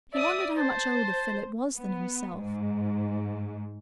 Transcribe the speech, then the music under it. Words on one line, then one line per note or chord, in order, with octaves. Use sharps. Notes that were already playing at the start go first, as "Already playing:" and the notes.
He wondered how much older Philip was than himself.
D5 E5 D#6
C5 A5
B3
G#2